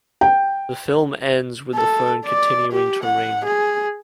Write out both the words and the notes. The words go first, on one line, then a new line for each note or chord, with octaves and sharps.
The film ends with the phone continuing to ring.
G5
A4
D5
G4
F#5
G#4